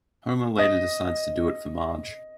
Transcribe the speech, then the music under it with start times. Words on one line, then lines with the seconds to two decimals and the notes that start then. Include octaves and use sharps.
Homer later decides to do it for Marge.
0.58 D#5